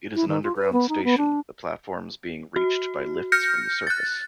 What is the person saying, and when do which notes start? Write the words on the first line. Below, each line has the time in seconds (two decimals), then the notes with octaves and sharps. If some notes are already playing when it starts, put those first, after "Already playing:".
It is an underground station, the platforms being reached by lifts from the surface.
0.15 E4
0.28 D#3
0.43 F4
0.56 B4
0.73 B3
0.89 D#4
1.04 B3
1.18 D4
2.56 F#4
3.32 F6 G6 A#6 C#7
3.87 F#6 A6